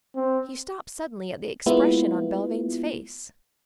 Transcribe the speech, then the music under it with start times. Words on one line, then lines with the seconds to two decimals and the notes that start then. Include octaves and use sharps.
He stopped suddenly at the expression on Belvane's face.
0.16 C4
1.66 G#3 A#3 B3 E4 F4